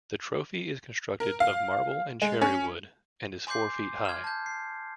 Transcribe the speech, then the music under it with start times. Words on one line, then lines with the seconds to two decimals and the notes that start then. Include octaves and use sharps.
The trophy is constructed of marble and cherry wood, and is four feet high.
1.20 A#4
1.40 F5
2.22 G#3
2.41 C#4
3.47 G#5 C6 D6 G6 C7
4.05 F6 G#6
4.24 A5 G6
4.46 C7